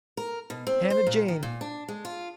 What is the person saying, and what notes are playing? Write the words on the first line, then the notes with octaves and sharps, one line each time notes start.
Hannah Jane!
A#4
B2
C4
C5
A#2
D#3
A#2
D4
G#3
F4